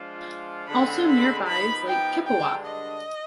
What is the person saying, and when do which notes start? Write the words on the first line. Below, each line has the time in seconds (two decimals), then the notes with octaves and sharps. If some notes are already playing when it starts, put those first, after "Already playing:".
Also nearby is Lake Kipawa.
Already playing: F3 G#3 D4 F4
0.68 D3 G#3 C4 B5
1.08 B5
1.47 F3 B3 D#4 G4 B5
1.87 G5
2.27 G2 D3 G#3 D4 G5
2.66 D#5